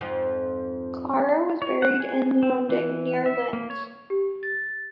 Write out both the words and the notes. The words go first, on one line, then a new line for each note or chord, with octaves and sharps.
Klara was buried in Leonding near Linz.
F2 G#2 F3
C#5
F#5
G#4
C4
E3
E5
A#3
C#5
G4
A6